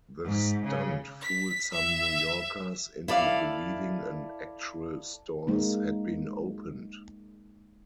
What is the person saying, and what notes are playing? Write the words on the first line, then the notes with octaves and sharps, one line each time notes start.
The stunt fooled some New Yorkers into believing an actual stores had been opened.
G#2
C#3
B6
E5
E4 A4 D5 F5
G#3 A#3 D#4